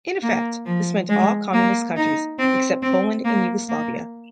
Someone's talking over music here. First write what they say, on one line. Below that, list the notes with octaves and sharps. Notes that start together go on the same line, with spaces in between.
In effect, this meant all communist countries, except Poland and Yugoslavia.
A#3
F3
G#3
A#3
D#4
C4
C4
A#3
A#3